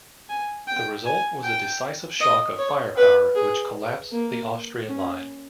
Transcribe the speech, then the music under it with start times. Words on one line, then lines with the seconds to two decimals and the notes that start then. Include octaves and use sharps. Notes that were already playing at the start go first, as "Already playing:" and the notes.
The result was a decisive shock of firepower which collapsed the Austrian line.
0.29 G#5
0.68 G5
1.05 G#5
1.44 G5
2.21 D#5
2.59 C#5
2.97 B4
3.35 G#4
4.12 A#3
4.89 C#4